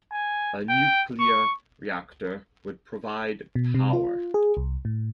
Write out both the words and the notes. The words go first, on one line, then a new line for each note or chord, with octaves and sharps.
A nuclear reactor would provide power.
G#5
G5
C#6
B2
C3
F4
G#4
C2
A2